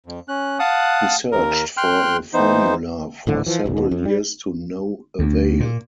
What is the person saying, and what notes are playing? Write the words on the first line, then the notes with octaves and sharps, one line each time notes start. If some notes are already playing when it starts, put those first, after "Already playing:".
He searched for a formula for several years to no avail.
F2
C#4 F#6
F5 F#5 A5 D#6 F#6
D#2 A#4
G5 C6 F6 F#6
E3 B3 D#4 C5
D#1 A2 D3
E3 F3
D#1 B1 F#2
D#2 B2
F2
G3
D2
A#2